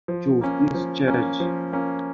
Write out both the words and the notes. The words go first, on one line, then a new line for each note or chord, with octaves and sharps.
Jooste’s church.
F3
A#3 C#4
F3
A#3 C#4
F3
A#3 C#4